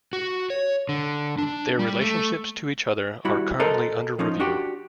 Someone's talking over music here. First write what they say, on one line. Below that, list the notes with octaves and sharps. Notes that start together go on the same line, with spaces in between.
Their relationships to each other are currently under review.
F#4
C#5
D3
D4
G3
A3
G3 E4 F#4
A4 A#4 C5 D#5
F3 C#4 D#4
D4 F#4 G4